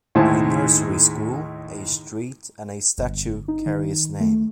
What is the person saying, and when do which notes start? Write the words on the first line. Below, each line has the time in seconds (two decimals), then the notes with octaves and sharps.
A nursery school, a street and a statue carry his name.
0.15 D#2 A2 G#3 E4 C5 A5
2.98 G1
3.48 D#4
3.66 D#3
4.20 A3